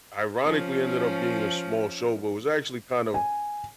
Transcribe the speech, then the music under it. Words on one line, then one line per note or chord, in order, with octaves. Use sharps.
ironically ended up being a small show, but it was actually kind of,
F3 C#4
G#5